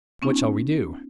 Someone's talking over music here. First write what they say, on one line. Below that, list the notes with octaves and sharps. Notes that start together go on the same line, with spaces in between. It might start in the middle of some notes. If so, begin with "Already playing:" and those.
"What shall we do?"
B3 C#4 D#4 F4